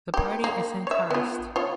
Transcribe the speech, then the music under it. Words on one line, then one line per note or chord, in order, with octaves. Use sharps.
The party is Sankarist.
A#3 G4
A#3
C#5 E5
B3 F4
F4 C#5